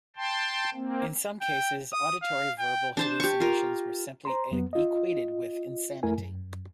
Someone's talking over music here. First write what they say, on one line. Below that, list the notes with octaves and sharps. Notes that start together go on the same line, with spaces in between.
In some cases, auditory verbal hallucinations were simply equated with insanity.
G5 A5 C6
A#3 C4
G5
D#6
F5
G5
D4 C5 A5
G4 C#6
F4 A#4
C5 A#5 C6
F2 F#3 B3
F4 D#5
F2 A3 E4 A#4 G#5
F#2